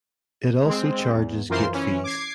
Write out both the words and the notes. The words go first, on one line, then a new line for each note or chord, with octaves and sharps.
It also charges gate fees.
G#3 C4
E2
F#2 E3 F4 A#4 C5 C6
E3 C#4
D6 G#6 C7